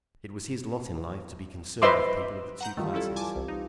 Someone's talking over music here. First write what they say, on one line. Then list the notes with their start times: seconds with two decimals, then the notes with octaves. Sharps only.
It was his lot in life to be concerned with people of the two classes.
1.82 B4 C5 D#5 E5 C6 D6
2.61 F#5 A#5 G6
2.77 D#3 E3 G3 A3 F4
2.94 C#4 E4 A4
3.16 G#5 A5 D6
3.36 C2
3.48 D#4